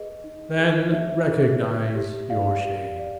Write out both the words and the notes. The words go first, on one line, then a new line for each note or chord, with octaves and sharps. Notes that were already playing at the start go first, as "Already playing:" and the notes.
Then recognize your shame.
Already playing: G#4 B4 D#5
D#4
G#4
D#4 E5
G#4
B4
G4
D5 F5
G4
D5